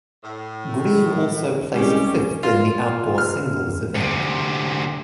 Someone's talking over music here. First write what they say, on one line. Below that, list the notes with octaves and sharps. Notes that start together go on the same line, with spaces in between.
Greene also placed fifth in the outdoor singles event.
A2
C2 G3 G#3 C#4 G4 G#5
F4
F6
D2 C3